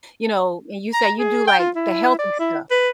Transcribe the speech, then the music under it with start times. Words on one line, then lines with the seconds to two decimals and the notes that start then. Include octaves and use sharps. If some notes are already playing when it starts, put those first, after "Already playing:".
you know, and you say you do, like, the healthy stuff.
0.94 A#5
1.19 G#4
1.48 G5
1.59 F4
1.75 E4
2.19 D5
2.39 E4
2.71 B4